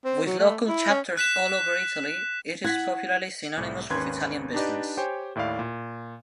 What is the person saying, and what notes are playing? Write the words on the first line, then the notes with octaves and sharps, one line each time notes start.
With local chapters all over Italy, it is popularly synonymous with Italian business.
C4
F#3
A3
E4
C#4
F#6 B6 E7
E4 F#5 G#6 B6
C2 A2
G#1 D#2 C#4 B4 C6 G#6
D4 D#4 G4 B4 D5 D#5
G4 C5 C#5 G5 G#5
D#2 A2 E4 D5 F5
A#2